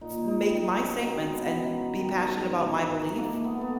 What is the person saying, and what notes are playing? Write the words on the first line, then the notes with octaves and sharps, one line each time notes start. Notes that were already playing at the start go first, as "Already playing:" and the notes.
f make my statements and be passionate about my belief,
A#2 D#4
D#4
G3
D#4
B2 C#4
C4
G#3
B3
F#2
D#3
G#2
G#2
A3 A#3
B3
A3 B3